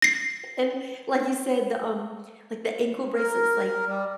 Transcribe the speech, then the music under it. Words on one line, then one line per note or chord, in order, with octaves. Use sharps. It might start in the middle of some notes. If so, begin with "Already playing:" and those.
And, like you said, the, um like, the ankle bracelets, like
A#6 C7
A#4
G3